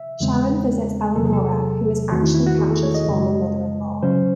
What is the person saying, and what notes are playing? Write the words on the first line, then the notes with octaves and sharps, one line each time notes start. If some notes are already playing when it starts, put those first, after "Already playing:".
Sharon visits Elanora who is actually Catch's former mother-in-law.
Already playing: E5
E2 C#3 G#3 C4
E2 C3 F#3 A4
G#4
A4
E2 D#3 A3 C4 F#4
E4
E4
F#4
G#4
A4
C#5
D#5
F#2 C#3 G#3
C#3 F#3 C#4 C5